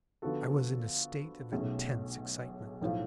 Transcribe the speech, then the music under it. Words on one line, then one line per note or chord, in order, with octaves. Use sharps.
I was in a state of intense excitement.
D3 F3 B3 F#4 A4
B1 B2 A3 C#4 G#4
B1 A2 F3